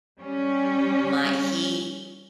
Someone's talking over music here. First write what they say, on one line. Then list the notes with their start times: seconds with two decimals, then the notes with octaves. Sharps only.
My he
0.21 G3 C#4